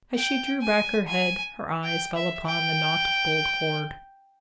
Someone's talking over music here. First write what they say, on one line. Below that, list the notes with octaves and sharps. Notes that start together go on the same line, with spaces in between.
As she drew back her head, her eyes fell upon the knot of gold cord.
G5
G#5
G#5
G5
E5
G5